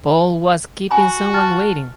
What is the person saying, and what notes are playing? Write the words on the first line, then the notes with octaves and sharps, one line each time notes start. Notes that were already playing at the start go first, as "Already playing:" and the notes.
Paul was keeping someone waiting.
F#4 G#5 B5
A5 F6 A6